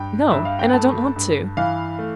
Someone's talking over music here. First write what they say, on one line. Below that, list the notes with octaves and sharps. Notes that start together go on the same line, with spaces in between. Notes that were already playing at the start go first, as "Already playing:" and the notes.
"No, and I don't want to."
Already playing: G2 G5
G2 E5
F5
G5
A3 A5
G2
E3 F5
A3